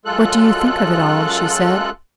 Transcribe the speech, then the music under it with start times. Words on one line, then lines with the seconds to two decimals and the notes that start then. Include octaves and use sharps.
"What do you think of it all?" she said.
0.05 F#2 G#3 F4 A4 F#6